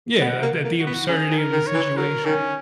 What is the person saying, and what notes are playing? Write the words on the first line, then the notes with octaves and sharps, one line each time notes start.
Yeah, tha that the absurdity of the situation.
B3 F#5
A#3
A#3
F#4
B3
C#3 G#4
D#3
A#4
D#3
C#5
E3
F#3 A#4
D#3 C#4